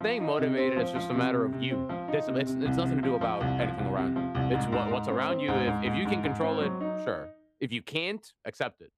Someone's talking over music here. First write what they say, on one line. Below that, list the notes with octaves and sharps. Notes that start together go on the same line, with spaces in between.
staying motivated, it's just a matter of you. Discip it's it's nothing to do about anything around you. It's wha what's around you if if you can control it, sure. If you can't, accept it.
F3
D#4
C3
C4
F3
F3
C3
C3
C3
C4
F3
D#4
C3
C3
C2
C3
F3
F3
C2
F3
C2
C3
F3
C2
G#2
G#2
G#2
C4
C4
G#2
G#2
G#2
G#2
G#2
C4
F#3
D#4